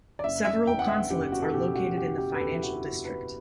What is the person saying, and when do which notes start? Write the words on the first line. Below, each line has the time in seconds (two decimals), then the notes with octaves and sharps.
Several consulates are located in the financial district.
0.19 D5
0.24 F#1 E5
0.45 E5
0.67 E2 G5
0.79 F#5
0.88 E5
1.10 F#1 G4
1.32 F#4
1.42 A4
1.53 B2 G4
1.75 F#4
1.97 F#1 G4
2.18 G4
2.35 B4
2.40 E2 A4
2.52 E4
2.63 F#4
2.83 F#1 F#4
3.05 B4